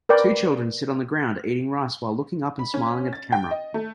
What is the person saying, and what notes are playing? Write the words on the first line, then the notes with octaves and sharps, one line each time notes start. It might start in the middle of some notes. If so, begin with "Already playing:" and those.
Two children sit on the ground eating rice while looking up and smiling at the camera.
A#4 B4 D5 G5
B5
C#4
A6
G5
D#5
A3